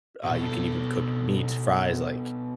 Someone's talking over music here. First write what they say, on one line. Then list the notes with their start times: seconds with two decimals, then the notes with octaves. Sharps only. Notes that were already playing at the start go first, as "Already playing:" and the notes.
uh, you can even cook meat, fries, like
0.25 B2 A4